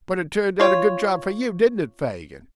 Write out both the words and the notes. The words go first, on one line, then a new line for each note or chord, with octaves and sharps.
But it turned out a good job for you; didn't it, Fagin!
F4 C#5